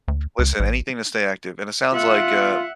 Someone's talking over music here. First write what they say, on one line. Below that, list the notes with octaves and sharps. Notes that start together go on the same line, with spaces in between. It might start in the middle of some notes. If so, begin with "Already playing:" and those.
listen, anything to stay active, and it sounds like, uh
D2
C#2
A1
F4 E5 F#5